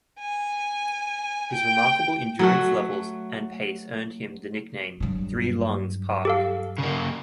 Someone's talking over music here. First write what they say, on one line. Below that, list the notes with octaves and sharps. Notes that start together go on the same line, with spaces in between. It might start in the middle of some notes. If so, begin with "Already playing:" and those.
His remarkable endurance levels and pace earned him the nickname "Three-Lungs" Park.
G#5
G5
F#3 A3 F#4
G2 F#3
G4 A4 F5
C#3 A#3